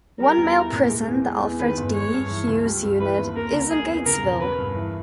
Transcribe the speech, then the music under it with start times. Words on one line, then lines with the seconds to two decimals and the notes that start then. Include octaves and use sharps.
One male prison, the Alfred D. Hughes Unit, is in Gatesville.
0.20 G3 A#4
0.37 E2
0.56 E4
0.72 A#2
0.90 G#3
1.07 E2
1.25 G#3
1.42 E2
1.59 D#3 B4
1.77 G1
1.94 G#3 C#5
2.13 G2
2.30 E3
2.47 C#2
2.65 G3
2.83 G2
3.00 E3 B4
3.18 D#2
3.36 A#3 A#4
3.53 C#2
3.70 G#3 G#4
3.88 E2
4.05 C#3 A#4
4.23 E1
4.40 C#4 B4
4.58 G2
4.75 E3